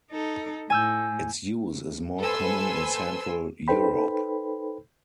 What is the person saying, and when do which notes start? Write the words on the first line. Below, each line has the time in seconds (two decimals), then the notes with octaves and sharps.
Its use is more common in Central Europe.
0.11 D#4 A4
0.70 A2 G#5 E6 G6
2.20 A4 B4 C5 G#5 C6 E6
3.68 D#4 A4 B4 C5 G5 B5